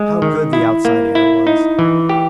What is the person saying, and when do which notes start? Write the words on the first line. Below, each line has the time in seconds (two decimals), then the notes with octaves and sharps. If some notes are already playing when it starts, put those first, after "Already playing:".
How good the outside air was!
Already playing: G#3
0.22 D#3
0.53 E4
0.85 A#3
1.15 E4
1.47 D#4
1.79 E3
2.09 G4